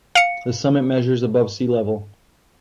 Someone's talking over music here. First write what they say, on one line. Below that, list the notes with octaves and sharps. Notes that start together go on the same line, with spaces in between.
The summit measures above sea level.
F5 C#7